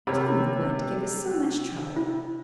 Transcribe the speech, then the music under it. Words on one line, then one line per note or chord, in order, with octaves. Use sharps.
Shame of Gwen to give us so much trouble!
C3 A#4 C#5 B5
E4